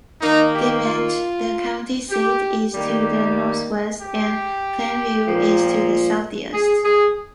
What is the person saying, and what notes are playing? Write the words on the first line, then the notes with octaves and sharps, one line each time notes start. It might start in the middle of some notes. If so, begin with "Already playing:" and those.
Dimmitt, the county seat, is to the northwest, and Plainview is to the southeast.
D#3 A#3 D#4
G4
F4
G4
D#3 G3 A#3 G4
G4
A#2 F3 A#3
G#4
G#4